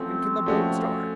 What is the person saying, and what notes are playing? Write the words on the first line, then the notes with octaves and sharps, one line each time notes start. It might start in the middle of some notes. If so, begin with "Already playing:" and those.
"When can the boat start?"
Already playing: F3 A3 C4 C#4 F#4
F3 A3 C#4 F#4